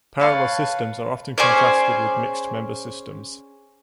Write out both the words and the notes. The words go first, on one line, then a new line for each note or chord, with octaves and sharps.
Parallel systems are often contrasted with Mixed Member systems.
B4 C#5 F5 A5
C#4 G#4 C5 D5